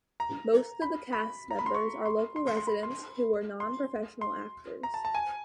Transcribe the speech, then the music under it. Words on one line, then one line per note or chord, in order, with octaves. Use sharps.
Most of the cast members are local residents who were nonprofessional actors.
A#5
B5
B5
A#5
B5
C6
C#6
C6
C6
C6
C6
B5
C6
C6
C6
A#5
A5
A5
G#5